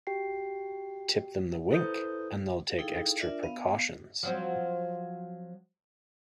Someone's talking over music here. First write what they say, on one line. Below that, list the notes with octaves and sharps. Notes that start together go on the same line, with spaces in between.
Tip them the wink, and they’ll take extra precautions.
F#4 G4 G5 C7
E4 A4 B4 C5 D#6 G6
D#4 E4 G#4 A4 F5 G5
D4 F4 A#4 D5 E5
B3 F5
F3 F#3 C4